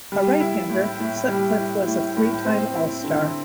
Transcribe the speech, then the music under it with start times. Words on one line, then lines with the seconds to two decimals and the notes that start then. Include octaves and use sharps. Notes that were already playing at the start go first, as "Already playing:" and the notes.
A right-hander, Sutcliffe was a three-time All-Star.
0.12 G3
0.40 E4
0.70 A2
1.00 A2
1.28 G3
1.58 E4
1.87 A2
2.17 A2
2.45 C4
2.75 E4
3.04 D3